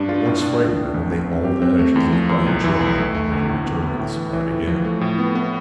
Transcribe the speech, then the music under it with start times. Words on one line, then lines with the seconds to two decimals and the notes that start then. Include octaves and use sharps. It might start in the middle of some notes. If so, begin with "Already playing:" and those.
But once frighten them and they all vanish as if by enchantment, and never return to the spot again.
Already playing: G2 D4
0.09 F4
0.26 A2
0.42 D4
0.60 A2
0.76 D4
0.94 A1
1.11 F3
1.27 C4
1.44 G4
1.62 C4
1.79 A3
1.96 E2
2.12 F3
2.29 E2
2.46 B1
2.64 E3
2.80 B1
2.98 A3
3.15 A3
3.32 D2
3.48 A2
3.66 B3
3.82 B3
3.99 A2
4.16 E3
4.33 E3
4.51 A2
4.67 F3
4.85 A3
5.01 A2
5.19 B3
5.35 B3